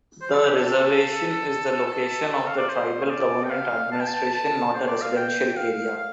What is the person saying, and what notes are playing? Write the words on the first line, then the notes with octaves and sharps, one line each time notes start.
The reservation is the location of the tribal government administration, not a residential area.
C5
A4
G4
A4
A4
F5
D5
C5
F5
D5
G5
F5
A5
G5
A5
A5
C5
D5
F5
G5
F5
F5